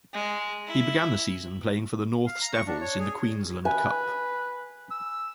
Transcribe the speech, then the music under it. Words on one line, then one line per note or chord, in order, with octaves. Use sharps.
He began the season playing for the Norths Devils in the Queensland Cup.
G#3
E4
F5
A#5
C#6
D4
C#5
G#4
B4 G#5
E6